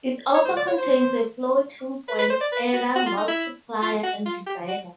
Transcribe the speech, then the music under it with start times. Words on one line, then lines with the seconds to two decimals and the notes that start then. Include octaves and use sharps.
It also contains a floating point adder, multiplier, and divider.
0.34 C#5
0.45 C5
0.57 D5
0.67 C#5
0.78 C5
2.08 B4
2.19 B4
2.30 C5
2.41 D5
2.52 B4
2.73 F#4
2.96 F#4
3.06 F4
3.17 D#4
3.28 E4
3.82 F4
4.03 F#4
4.26 F4
4.46 G4
4.68 F#4